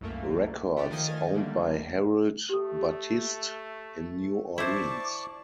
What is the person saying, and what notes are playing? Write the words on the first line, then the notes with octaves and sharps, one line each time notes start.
Records owned by Harold Battiste in New Orleans.
C2 F#2 A3 A#3
A3 D4 G4
D#3 F3 D#4 D#5 G#5 A6
D3 G3 A3 A#3
A3 G4 A4
E4 C5 D5 A5 C#6 D6